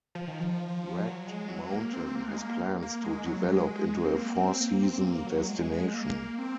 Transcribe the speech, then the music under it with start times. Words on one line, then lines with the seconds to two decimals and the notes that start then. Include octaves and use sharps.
Ragged Mountain has plans to develop into a four season destination.
0.15 F3
0.28 D#3
0.40 F3
1.04 F#3
1.27 G#3
1.48 F#3
1.71 A#3
1.93 C4
2.15 A#3
2.28 G#3
2.38 A#3
2.82 A#3
3.04 G#3
3.26 F#3
3.49 G#3
4.04 C4
4.15 A#3
4.38 C4
4.61 A#3
4.83 C4
5.04 A#3
5.27 F#3
5.49 G#3
5.71 G#3
5.93 A#3
6.39 C4